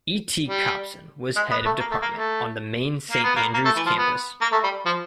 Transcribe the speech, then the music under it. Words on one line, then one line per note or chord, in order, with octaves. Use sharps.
E. T. Copson was Head of Department, on the main Saint Andrews campus.
G3
G#3
B3
A3
A#3
A3
A#3
A3
A#3
B3
A#3
A#3
A3
E3
F3
B3
A#3
A3
G3
F3